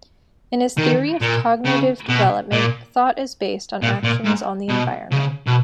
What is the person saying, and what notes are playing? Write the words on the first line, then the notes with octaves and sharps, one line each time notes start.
In his theory of cognitive development, thought is based on actions on the environment.
D#3
A#2
C#3
B2
A#2
A#2
A#2
G#2
B2
C#3
B2